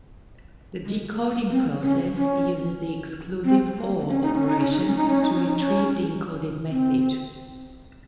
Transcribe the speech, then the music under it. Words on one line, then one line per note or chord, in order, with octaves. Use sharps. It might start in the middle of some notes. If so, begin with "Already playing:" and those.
The decoding process uses the "exclusive or" operation to retrieve the encoded message.
G#3
A#3
C4
C#4
C#4
C4
A#3
C#4
D#4
C#4
D#4
C#4
D#4
C#4
D#4
C#4
D#4
C#4
D#4
C#4
C4